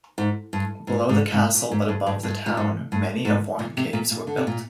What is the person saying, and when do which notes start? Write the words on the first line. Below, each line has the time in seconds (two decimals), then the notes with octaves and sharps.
Below the castle, but above the town, many of wine caves were built.
0.18 G#2
0.53 G2
0.87 G#2
1.09 G#2
1.32 G#2
1.55 A#2
1.71 G#2
1.89 G2
2.07 G2
2.23 G2
2.46 A#2
2.57 G#2
2.92 G2
3.25 G#2
3.59 A#2
3.77 C3
3.93 A#2
4.11 A#2
4.27 D3
4.37 C3
4.47 A#2